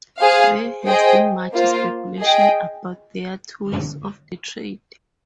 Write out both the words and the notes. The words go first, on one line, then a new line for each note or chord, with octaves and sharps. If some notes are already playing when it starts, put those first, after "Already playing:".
There has been much speculation about their tools of the trade.
G#4 C5 F5
G#4 C5 D#5 G5
A#3 F4 C5
G#4 D#5 G5